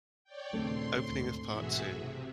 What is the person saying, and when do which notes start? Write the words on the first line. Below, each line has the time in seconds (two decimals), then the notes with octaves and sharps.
Opening of Part Two.
0.24 C#5 D5 G5
0.53 D#2 A#2 C#3 A3 C4 D4 C6
1.07 D2 G#2
1.48 B1 G#2 E3 F#4 G#4 E5
1.94 C3